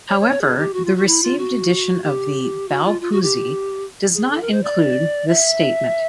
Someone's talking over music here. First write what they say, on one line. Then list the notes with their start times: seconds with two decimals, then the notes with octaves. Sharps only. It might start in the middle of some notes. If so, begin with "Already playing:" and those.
However, the received edition of the "Baopuzi" does not include this statement.
0.09 C#5
0.20 C#5
0.30 C#5
0.41 G#4
0.57 G4
0.73 F#4
0.85 F4
0.95 F#4
1.07 E4
1.23 F4
1.38 F#4
2.03 G4
2.68 F#4
2.84 F4
3.01 F4
3.12 F#4
3.22 G4
4.14 G#4
4.31 A4
4.41 A#4
4.52 C5
4.63 D5
5.28 E5